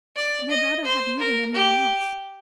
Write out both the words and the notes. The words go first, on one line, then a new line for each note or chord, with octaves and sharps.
And I'd rather have you than any one else.
D5
D#5
C5
A#4
G4